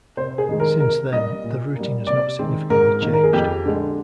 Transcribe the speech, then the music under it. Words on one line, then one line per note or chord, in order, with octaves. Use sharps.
Since then, the routing has not significantly changed.
C3 C5
G#4
D#3 G#3
A#4
C3 A#4
G3 A#3 D#5
A#2
A#3
G3
C3 D5
D#3 G#3 C4
G#2 A#4
D#3 A#3
A#4
G#4
F2 G4
D3 G#3